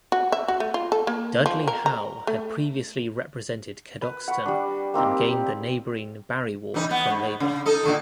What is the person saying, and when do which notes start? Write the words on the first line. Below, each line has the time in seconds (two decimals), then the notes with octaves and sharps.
Dudley Howe had previously represented Cadoxton and gained the neighbouring Barry ward from Labour.
0.12 F#4
0.32 E5
0.48 F#4
0.60 A3
0.74 F4
0.92 A4
1.07 A#3
1.46 F3
1.68 A#4
1.86 A#5
2.27 A3
4.02 B4
4.28 F#5 B5 C#6
4.45 G3 D4
4.94 A#3 C4 D#4 G4
6.74 E3 G3 D#4
6.91 B3
7.10 G#2
7.40 C#3
7.66 D#4 A4 D#5
7.83 A#2 D3 A4